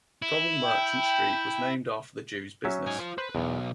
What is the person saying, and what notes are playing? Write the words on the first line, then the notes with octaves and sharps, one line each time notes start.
Coral Merchant Street was named after the Jews' business.
E4
G5
F#3 C#4 E5
D#4 G#5
F4 C5
B4 C5
B1 E2